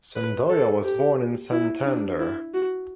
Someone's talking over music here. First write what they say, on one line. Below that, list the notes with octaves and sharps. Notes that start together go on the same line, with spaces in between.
Cendoya was born in Santander.
B4
A4
G4
E4
D4
E4
F#4